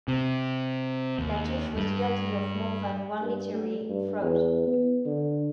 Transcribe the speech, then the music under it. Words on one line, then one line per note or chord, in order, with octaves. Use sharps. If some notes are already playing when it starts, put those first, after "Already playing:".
Latouche was guilty of more than one literary fraud.
C3
D#2
G2
G2
A3
G2
E2
B3
D3